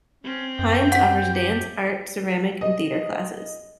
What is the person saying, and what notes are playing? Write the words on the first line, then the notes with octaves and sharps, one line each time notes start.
Hinds offers dance, art, ceramic, and theater classes.
C4 C#4
F#2 G5
F#5 B6
G4
D#5